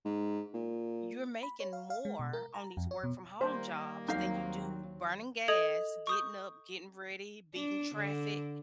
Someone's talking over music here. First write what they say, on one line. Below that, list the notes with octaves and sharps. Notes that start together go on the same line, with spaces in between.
you're making more on these work from home jobs than you do burning gas, getting up, getting ready, beating traffic.
G#2
A#2
B5
C#5
F5
F5
G#3
B2
A#4
A#5
F2
C#5
B2
D#3 G3 A#3 C5
D#2 F#3 C4 D#4 F5
A4 D#5 D#6 G#6 F7 F#7
C#6 D#6 G6
D4
D3